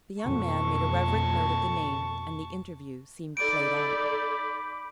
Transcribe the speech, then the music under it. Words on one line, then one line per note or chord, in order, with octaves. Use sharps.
The young man made a reverent note of the name, and the interview seemed played out.
F2 B2 A#3 A5 C#6
D#4 A4 D5 B5 D6 G6 D7